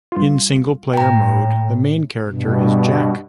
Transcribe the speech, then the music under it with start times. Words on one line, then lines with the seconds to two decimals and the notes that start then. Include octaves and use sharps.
In single player mode, the main character is Jack.
0.12 G2 F4
0.94 A2 G5 A#5
2.28 G2 B2